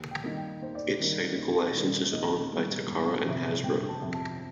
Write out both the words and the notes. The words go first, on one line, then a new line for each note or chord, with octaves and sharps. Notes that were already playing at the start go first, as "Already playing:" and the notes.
Its technical license is owned by Takara and Hasbro.
Already playing: D#2 G5
G5
D#3 G3 A#3
G5
D#2 C5
D5
C5
D#3 G3 A#3
D#2
D#3 G3 A#3
D#2 D#5
D#3 G3 A#3
G1
F2 C3
G1 G5
A5
F2 C3
A5